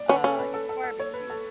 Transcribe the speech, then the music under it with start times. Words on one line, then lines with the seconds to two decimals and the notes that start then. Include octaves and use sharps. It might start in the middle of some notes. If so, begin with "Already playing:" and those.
uh, your barbecue.
Already playing: D5
0.09 C#4 B4
0.24 C#4 A4
0.39 B4
0.54 A4
0.69 A4
0.84 A4
1.00 C#5
1.14 B4
1.30 A4